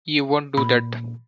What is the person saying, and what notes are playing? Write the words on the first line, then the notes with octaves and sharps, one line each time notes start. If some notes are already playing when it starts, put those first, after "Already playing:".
You won't do that.
A#2 B5